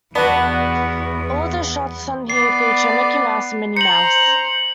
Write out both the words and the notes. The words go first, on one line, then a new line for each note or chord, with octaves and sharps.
All of the shorts on here feature Mickey Mouse and Minnie Mouse.
E2 B3 D4 F#4 B4 F#5
B3 D5 C7
C5 A#5 C#7 F#7